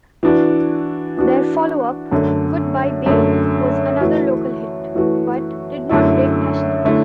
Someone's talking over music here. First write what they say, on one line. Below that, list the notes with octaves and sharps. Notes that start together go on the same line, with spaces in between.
Their followup, "Goodbye Babe", was another local hit, but did not break nationally.
E3 D4 F#4
E3 D4 F#4
F#2 D3 A3
F#2 D3 A3
E3 A3 F#4
E3 A3 F#4
F#2 D3 A3 E4
D3 A3 E4